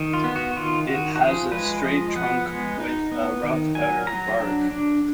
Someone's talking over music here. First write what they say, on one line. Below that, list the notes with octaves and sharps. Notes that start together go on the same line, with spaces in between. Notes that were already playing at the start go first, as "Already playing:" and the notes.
It has a straight trunk with a rough outer bark.
Already playing: D#3
F4
B3
F#4
D#3 F4
D#3 F#4
F#4
F3 G#4
G#3 B4
F3 D#5
B3 F#5
G#3
D#4
B3
D#3
F#3 G#5
F#3 A#5
D4
D4